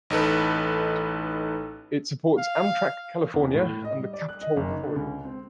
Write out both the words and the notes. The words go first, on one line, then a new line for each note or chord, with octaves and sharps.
It supports Amtrak California and the "Capitol Corridor".
A1 D#4 A4 B4
F5
E2
A2
D#5
G3
D5
F#6
D#5
F#1
D#4
D3
C#2
C4